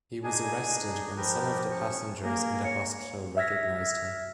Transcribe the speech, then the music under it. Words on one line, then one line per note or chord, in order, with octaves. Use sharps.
He was arrested when some of the passengers in the hospital recognized him.
D4 D#4 G#4 G#5
F3 G4 A#4 B4
C#4 C#6
A#3 G#4 A#4
C#5
E5 E6 F6 G#6 A#6 B6